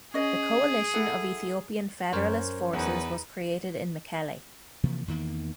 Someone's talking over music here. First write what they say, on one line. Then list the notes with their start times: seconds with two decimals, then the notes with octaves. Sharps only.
The Coalition of Ethiopian Federalist Forces was created in Mekelle.
0.14 C#4 G#4 D#5
0.94 E4 A4 F#5
2.13 F#2 A#4 C5 C#5
2.73 E2 D#4 B4 F#5
4.83 C3 E3 F3 A#3
5.08 E2 D#3 A#3